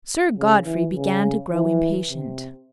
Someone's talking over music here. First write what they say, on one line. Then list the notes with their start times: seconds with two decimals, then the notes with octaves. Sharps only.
Sir Godfrey began to grow impatient.
0.38 C#3
0.65 E3
0.94 C#3
1.52 E3
2.09 C3